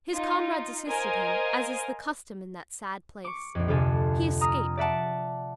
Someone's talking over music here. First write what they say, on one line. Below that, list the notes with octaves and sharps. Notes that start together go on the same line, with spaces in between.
His comrades assisted him, as is the custom in that sad place. He escaped.
D#4 F4
A#4 C5 D#5 F5 G#5
C#6 D6
A#1 F2
D2 C3 F4 A4 G#5
A#5 D#6 F6
D5 E5 F#5 A5